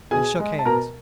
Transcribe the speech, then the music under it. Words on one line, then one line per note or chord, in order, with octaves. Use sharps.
They shook hands.
B2 G#4 G#5
G#3
A5
B2 A#4 A#5